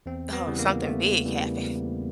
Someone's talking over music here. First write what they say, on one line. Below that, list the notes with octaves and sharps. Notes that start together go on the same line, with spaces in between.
Oh, something big happened,
E2 C4
B3
C#3 E3 G3
A#3
E2 A3
C#3 E3 G3
E2